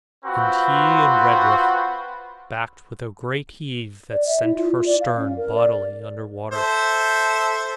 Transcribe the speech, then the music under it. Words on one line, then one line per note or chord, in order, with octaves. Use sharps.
And he and Redruth backed with a great heave that sent her stern bodily under water.
C4 F4 F#4 B4 G5
D5
E5
E4
F4
F4
D5
F5
C#4
A#4
D5
A4 C5 E5